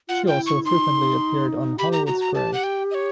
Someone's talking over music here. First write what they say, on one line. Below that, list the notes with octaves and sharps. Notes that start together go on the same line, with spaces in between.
She also frequently appeared on "Hollywood Squares".
F4 F#5
G5
E4
C#6
D#4 C6
G4 B5
A#5
F#4 A#5
A#5
G4 A5
F#5
G5
D#5
C#5